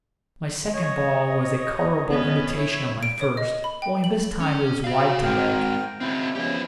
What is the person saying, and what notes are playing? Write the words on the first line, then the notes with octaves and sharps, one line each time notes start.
My second ball was a colourable imitation of my first, only this time it was wide to leg.
C#5 D#5
B3 C#4
E4 C#5
D7
C#5
D#5
B5
G5
F#7
C#4
F#4 G#4 F5
G#2 G#3 C4 A#4 G5
C#3 G#3 C4 E4 F#4
F3 B3 C#4 G4 D#5